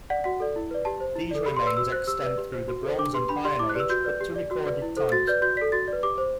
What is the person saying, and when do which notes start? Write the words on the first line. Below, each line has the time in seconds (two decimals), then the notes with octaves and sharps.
These remains extend through the bronze and Iron Age, up to recorded times.
0.10 D5 F#5
0.24 F#4 F#5
0.40 A4 D5
0.56 E4
0.71 B4 D5
0.85 G4 A5
1.00 C5
1.16 E4
1.31 A4 D5
1.46 G4 B5
1.57 C6
1.62 B4 D5 E6
1.77 F#4 E6
1.92 C5 F#6
2.07 G4 E6
2.22 B4 D5
2.38 G4
2.53 C5
2.68 F#4
2.83 A4 C5
2.99 D4 D6
3.14 G4 B4 C6
3.29 D4 B5
3.44 G4 D5 C6
3.59 E4 D6
3.69 F#6
3.75 G4 B4 D5 E6
3.89 F#4 G6
4.05 B4 D5
4.21 G4
4.36 D5
4.51 F#4
4.66 B4 D5
4.82 E4
4.97 A4 C5
5.12 F#4 A6
5.27 B4 D5 G6
5.42 F#4 G6
5.57 D5 B6
5.61 A4
5.72 F#4 A6
5.88 B4 D5
6.03 G4 D6
6.18 C5